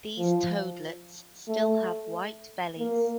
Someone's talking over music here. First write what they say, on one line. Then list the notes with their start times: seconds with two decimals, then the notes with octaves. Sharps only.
These toadlets still have white bellies.
0.18 F3
1.48 A3
2.79 A#3